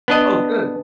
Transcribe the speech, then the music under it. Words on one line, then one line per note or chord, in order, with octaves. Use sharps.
Oh, good.
B3 D4 D#5